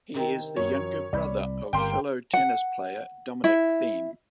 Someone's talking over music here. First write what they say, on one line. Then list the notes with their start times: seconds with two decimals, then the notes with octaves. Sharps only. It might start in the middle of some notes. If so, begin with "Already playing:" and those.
He is the younger brother of fellow tennis player Dominic Thiem.
0.14 C3 D#3 C4
0.57 F#2 C#5
1.13 C2 D5 B5
1.73 G1 A#3 G4 G5 C6
2.34 F#5
3.44 E4